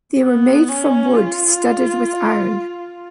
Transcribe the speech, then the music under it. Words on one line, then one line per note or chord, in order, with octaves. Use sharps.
They were made from wood studded with iron.
B3
C#4
F4